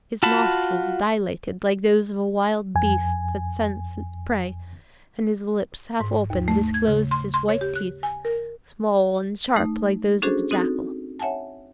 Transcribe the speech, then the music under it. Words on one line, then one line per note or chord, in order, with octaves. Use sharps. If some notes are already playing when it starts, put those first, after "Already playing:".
His nostrils dilated like those of a wild beast that scents its prey, and his lips, half opened, disclosed his white teeth, small and sharp like those of a jackal.
F4 F#4 A5 B5
F2 G#5
G#2
D#2
A3
G#6
C#3
C6
C6
C#5
G4
F#6
G#5
A#4
A3 D#4
C#4 D4 F#4 G#4 A4 C5
C4 D#4 F#4 A4
C#5 E5 F#5 G#5 A5